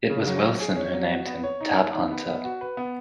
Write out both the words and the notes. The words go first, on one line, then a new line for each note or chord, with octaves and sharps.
It was Willson who named him "Tab Hunter".
C#3
F#3
C#4
G#4
C#4
F#3
F#4
B3
C#5
D#4
C#5
D#3
B3
B3
F#4
B4
B3